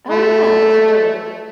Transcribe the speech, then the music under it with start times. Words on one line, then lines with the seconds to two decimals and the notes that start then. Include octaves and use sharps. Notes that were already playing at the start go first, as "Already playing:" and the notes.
Oh, yeah. Those are good.
0.09 A3